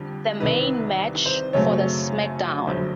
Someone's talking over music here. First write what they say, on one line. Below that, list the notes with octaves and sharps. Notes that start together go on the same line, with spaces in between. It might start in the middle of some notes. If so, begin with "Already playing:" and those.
The main match for the SmackDown!
Already playing: F2 D3 G3
C2 C3 D#3 B4
C5
F#2 C#3 F#3 A3 C4 C#5
F#1 F2 D3 F#3 C5